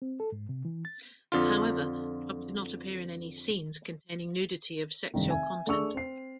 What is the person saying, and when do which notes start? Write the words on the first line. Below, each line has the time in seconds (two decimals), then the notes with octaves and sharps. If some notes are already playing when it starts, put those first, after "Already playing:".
However, Trump did not appear in any scenes containing nudity of sexual content.
0.02 C4
0.20 A4
0.32 G#2
0.49 C3
0.65 E3
0.85 A6
1.32 F2 D3 F4
5.14 F1 G2 D#3
5.30 E5 G#5
5.67 A3 D4 G#4 C#6 E6 F7
5.95 C4 C7